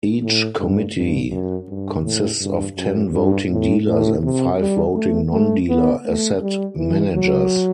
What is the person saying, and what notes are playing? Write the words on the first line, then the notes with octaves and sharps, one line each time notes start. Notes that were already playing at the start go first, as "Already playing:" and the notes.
Each committee consists of ten voting dealers and five voting non-dealer asset managers.
A2
G2
G2
F#2
G2
A2
G2
F#2
G2
A2
A2
C3
G3
A3
A3
B3
A3
G3
E3
F#3